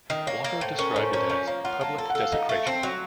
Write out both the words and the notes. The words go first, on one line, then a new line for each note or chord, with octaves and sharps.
Walker described it as "public desecration".
D#3 D#5
A#3 C#5
A#3
A2 C5
C#4 A#4
A2 C#5
C5
C#4 A#4
C5
F3 C#5
A#3 C#5
F4 F#5
A#3 A5
A4 A5
F#5
A4
F5
D#4
A3
C4 A5
F#3 C#6